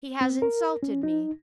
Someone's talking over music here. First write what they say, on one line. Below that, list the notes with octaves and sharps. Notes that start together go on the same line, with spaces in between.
He has insulted me.
C4
A#4
C#4
D#4